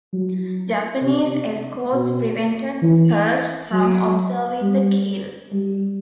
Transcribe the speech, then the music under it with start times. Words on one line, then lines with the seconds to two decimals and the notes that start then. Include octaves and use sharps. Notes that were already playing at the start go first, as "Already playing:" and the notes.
Japanese escorts prevented "Perch" from observing the kill.
0.13 F#3
1.03 C3
1.93 B2
2.82 E3
3.72 F#3
4.62 G3
5.52 G3